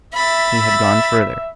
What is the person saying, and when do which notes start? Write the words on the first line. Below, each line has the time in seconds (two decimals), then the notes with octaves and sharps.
He had gone further.
0.14 E5 B5 A6